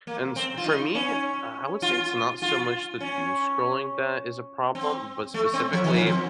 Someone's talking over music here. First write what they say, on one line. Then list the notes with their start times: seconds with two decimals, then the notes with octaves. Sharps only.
and s for me, uh, I would say it's not so much the doomscrolling that is a problem, but specifically
0.07 A#3
0.36 C4
0.57 F4
0.65 D#4
0.95 C#4
1.82 F4
2.42 F4
3.01 C#4
4.75 C4
5.34 A3
5.53 C4
5.73 F3
5.84 D#3
5.93 F3
6.06 C4